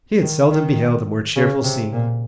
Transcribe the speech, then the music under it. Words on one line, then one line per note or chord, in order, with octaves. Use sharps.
He had seldom beheld a more cheerful scene.
D#3
D#3
C#3
C3
A#2